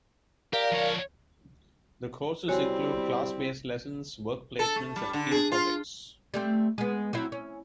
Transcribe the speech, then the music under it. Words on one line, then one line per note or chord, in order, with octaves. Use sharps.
The courses include class-based lessons, work placements and field-projects.
G4 A#4 D5 F5
F3 C#5
G3 C4 E4 F#4 C#5 G#5
A4
A3
G3
D3
G#4
F4
G3 A3 C4
G#3 B3
F#3 C4 E4
C#4